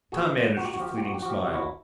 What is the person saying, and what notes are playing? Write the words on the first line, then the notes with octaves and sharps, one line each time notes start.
Tom managed a fleeting smile.
A#2 F#4 G#4
F3
A#2 F#4
G4
F#4
F3 G4
F#4
G4
A#2 F#4
G4
F#4
F3 G4
F#4
C3 G4
E4 F#4